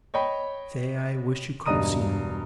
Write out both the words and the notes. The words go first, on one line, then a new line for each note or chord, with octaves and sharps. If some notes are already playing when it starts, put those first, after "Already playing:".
Say, I wish you could have seen him.
C#5 D#5 G5 B5
E1 G2 D#5 A#5 D#6 D#7